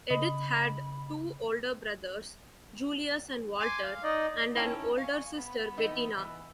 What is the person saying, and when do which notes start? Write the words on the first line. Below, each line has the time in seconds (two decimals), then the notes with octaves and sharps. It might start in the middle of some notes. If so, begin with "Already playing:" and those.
Edith had two older brothers, Julius and Walter, and an older sister, Bettina.
0.10 C#3 D#5 B5
3.60 G#5 C6 D6
3.83 F5
4.03 D#4 D5 D#5
4.55 C#4 D#4 E4 G5 A5
4.98 F5 G#5 C#6
5.35 B3 B5
5.77 E3 D#4 D#5
6.17 E3